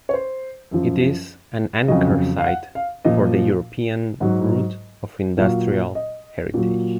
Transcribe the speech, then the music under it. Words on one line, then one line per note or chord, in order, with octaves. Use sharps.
It is an anchor site for the European Route of Industrial Heritage.
C#5
C5
F#2 F3
F2 C#3 F#3 D#5
F5
F#5
F5
A#2 F3 D#5
G#2 F#3 F#5
A#2 F#3 F5
D#5
A#2 F#3